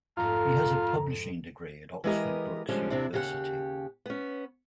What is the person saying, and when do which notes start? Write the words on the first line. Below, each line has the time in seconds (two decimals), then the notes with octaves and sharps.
He has a publishing degree at Oxford Brookes University.
0.17 F2 G#2 A3 F4 A#5
2.04 E3 G#3 B3 G4 A#4 D#5
2.69 D3 F3 G3 G#3 C#4
2.90 C3 C4 D4 E4
3.13 D#2 C#3 G4 A4 F#5
4.06 B3 C#4